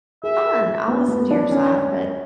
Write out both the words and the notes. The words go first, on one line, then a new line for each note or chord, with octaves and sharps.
fine, I'll listen to your side, but
G#4 E5
B3
B3
D4
C#4